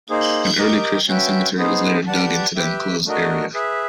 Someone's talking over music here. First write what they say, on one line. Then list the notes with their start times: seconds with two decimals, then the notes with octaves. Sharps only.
An early Christian cemetery was later dug into the enclosed area.
0.10 A#3 D#4 G#4 C5
0.59 G4 A#4 D#5 G5
1.08 C#4 F#4 B4 E5 G5
1.57 B3 D#4 G#4 C5
2.07 G4 B4 D5 F#5 A5
2.56 G4 B4 E5 G5
3.06 A3 D4 F#4 A#4 D#5
3.54 G#4 B4 E5